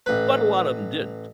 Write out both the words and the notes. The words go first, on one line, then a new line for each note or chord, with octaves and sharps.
but a lot of 'em didn't,
A1 B4